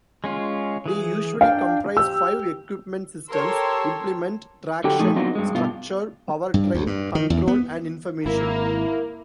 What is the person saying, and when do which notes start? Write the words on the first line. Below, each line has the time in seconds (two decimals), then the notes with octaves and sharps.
They usually comprise five equipment systems: implement, traction, structure, power train, control and information.
0.24 G#3 C#4 F4
0.86 E3 G#4
1.41 D4 F5 G5
1.97 G4 E6
3.28 G4 A4 A#4 C#5 C6 E6
4.84 D3 F#3 G4 G5
4.99 A#2 F3 A3 D#4 G#4
5.16 F#3 B3 C4 D4 D#4 F4
5.35 G2 G#3
5.55 G2 B2 F4
6.54 G2
6.74 D2
6.87 G2
7.15 D#3
7.30 E2
7.48 B3
8.26 G#1 A#3 E4